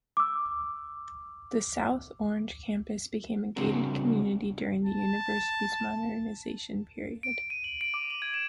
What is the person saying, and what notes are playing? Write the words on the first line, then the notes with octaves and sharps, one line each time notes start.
The South Orange campus became a gated community during the University's Modernization Period.
D6 E6
C#3 G3 C4 D4 F#4 A#4
A5
D7
D#7
F#7
D7
D6
F#7
G#6
E7